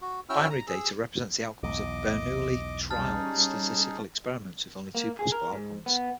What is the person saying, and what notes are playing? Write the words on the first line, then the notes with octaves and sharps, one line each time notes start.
Binary data represents the outcomes of Bernoulli trials-statistical experiments with only two possible outcomes.
F#4
C#4 E4 F#4 G5 E6 F6
A#5
G#4 E6
B1 E2 D#5 D6
G3 C#4 D#4 G#4 A5 F6 A6
A#3
G#4
A#4
G#2
B3